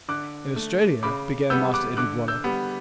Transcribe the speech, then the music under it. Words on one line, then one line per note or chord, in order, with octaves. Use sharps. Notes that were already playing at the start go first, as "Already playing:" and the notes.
'In Australia--' began Master Edward Waller.
D3 D6 F#6
A3
C#3 B5 D6
G3 B3 E6 G6
D6 F#6
D3 D6 F#6
E6 G6
G3 B3